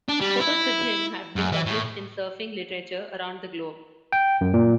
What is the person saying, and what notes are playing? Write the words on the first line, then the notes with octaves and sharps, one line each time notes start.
Photos of him have been published in surfing literature around the globe.
D4
G3
E4
F#2
E3
A2
G5
F#2
A#2